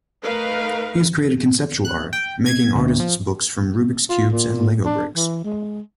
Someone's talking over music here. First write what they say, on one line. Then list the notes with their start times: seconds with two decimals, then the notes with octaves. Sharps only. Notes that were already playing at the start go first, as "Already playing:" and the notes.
He has created conceptual art, making artist's books from Rubik's Cubes and Lego bricks.
0.24 A3 D#4 A#4 B4 F5
1.85 F#6
2.13 G5
2.46 G#6
2.76 D2
3.00 F3
4.10 F4
4.32 A#2
4.85 D4
5.16 E3
5.44 G#3